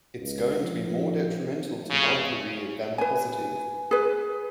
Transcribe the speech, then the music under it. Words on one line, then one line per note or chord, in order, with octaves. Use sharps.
It's going to be more detrimental to my career than positive.
C#2
F3
F2 C#3
B4 G#5
G#4 B4